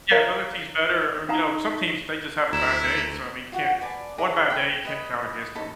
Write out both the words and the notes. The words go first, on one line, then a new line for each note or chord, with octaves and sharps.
Yeah, the other team's better, or, you know, some teams, they just have a bad day. So, I mean, you can't one bad day, you can't count against 'em.
A#4 C#5 F5 A#5
D#4 F5 A5 A#5
D2 E4 A#5 E7
F4 F#4 F#5
B4 D5 G#5 A5
E4 G#4 D5 A#5
B4 C5 G5
B4 D#5 B5
D#4 A4 B5